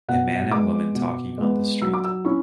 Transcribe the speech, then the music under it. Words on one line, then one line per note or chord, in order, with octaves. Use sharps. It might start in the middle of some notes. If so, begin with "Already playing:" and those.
A man and woman talking on the street.
B2 F#5
G#3 B3 D6
B2
G#3 B3
F#3 E6
D6
E6
C#4 E4 C#6